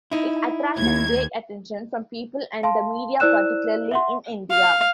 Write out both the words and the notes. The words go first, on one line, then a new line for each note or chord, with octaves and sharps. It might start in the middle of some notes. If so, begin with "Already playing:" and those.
It attracted great attention from people and the media particularly in India.
D#4 E4
D#2 G#6
F5 A5 C6
E4 C5 D5 E6 F#6 E7
E5 F#5 C6
F5